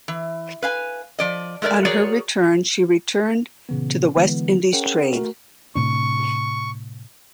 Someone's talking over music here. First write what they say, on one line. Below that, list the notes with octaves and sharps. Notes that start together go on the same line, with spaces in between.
On her return she returned to the West Indies trade.
E3
B4 F5 G#5
F3 D5 D#5
G#3 A3 A#4 C5 D5
F#4 G#4 A#4 C#5 D5
A#2 C#3 E3 B3
D3 E3 G#3 B3
C#4 G#4 A#4 C#5 F#5 G5
A3 F#4 A#4
A2 C3 D4 C#6